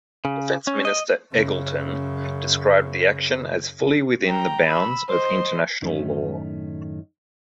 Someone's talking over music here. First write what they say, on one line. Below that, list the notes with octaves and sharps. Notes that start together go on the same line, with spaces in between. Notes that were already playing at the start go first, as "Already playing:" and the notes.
Defence Minister Eggleton described the action as fully within the bounds of international law.
C#3
C#4
D#5
F#2 C#3
G5 A#5
B5 E6
C5 D#5
F#2 A2 D#3 A3 C#4 D#4